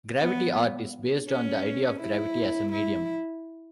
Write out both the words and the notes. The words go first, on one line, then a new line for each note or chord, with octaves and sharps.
Gravity Art is based on the idea of gravity as a medium.
B3
C#4
E4
E4